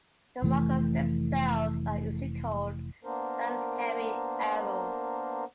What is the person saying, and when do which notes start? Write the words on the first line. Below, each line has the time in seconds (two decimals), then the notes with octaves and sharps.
The markers themselves are usually called "Dan Henry Arrows".
0.42 F1 E3 A3
3.04 A#3 B3 D4 A#4 C5